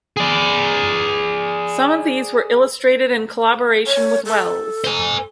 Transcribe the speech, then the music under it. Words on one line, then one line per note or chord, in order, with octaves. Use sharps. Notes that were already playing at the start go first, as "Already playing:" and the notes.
Some of these were illustrated in collaboration with Wells.
G#4 D5
C#5
A4
C5 G#5